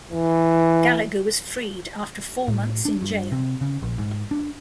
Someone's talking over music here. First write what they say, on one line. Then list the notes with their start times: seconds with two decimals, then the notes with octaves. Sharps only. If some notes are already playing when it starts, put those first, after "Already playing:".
Gallagher was freed after four months in jail.
0.11 E3
2.48 A2
2.85 D4
3.02 G2
3.32 C3
3.61 C#3
3.82 A#1
3.98 G#2
4.31 D4